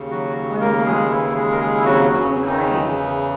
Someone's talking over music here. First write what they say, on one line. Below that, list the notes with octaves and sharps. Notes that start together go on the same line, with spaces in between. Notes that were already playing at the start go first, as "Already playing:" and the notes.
"Why, Mark, you are clean crazed!"
Already playing: D#2 C#3
F#3 F#4
A#3 A#4
G#3 G#4
E3 E4
G#3 G#4
A#4
G#3 G#4
E4
F#3 F#4
E2 C#3 E3
D#3 D#4